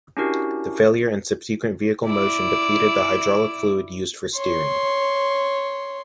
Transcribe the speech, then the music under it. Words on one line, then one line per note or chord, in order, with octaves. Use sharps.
The failure and subsequent vehicle motion depleted the hydraulic fluid used for steering.
C#4 D4 E4 F#4 G4 A#4
E4 D5
C#5 C6